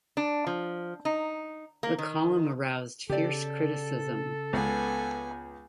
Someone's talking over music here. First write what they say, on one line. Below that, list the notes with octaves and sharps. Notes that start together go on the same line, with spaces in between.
The column aroused fierce criticism.
D4
F3
D#4
A#3
D#3
C#3 G4 A4 D5
C#2 B3 G#5